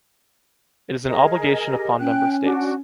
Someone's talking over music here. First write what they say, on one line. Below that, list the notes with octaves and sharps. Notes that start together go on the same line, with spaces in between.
It is an obligation upon Member States.
G#4 A#4 D#5
G4
C#4 G5 F#6
D4 F#4